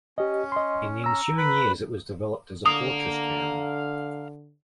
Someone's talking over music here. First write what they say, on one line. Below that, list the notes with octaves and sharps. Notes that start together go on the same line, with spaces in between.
In the ensuing years it was developed as a fortress town.
C#4 G4 D#5
D#5 C6
A#5 E6
B4 B5
D3 F5 A#5 D#6